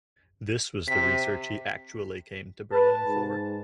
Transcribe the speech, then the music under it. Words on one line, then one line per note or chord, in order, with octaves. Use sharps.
This was the research he actually came to Berlin for.
C3 B6
B4 A5
G#2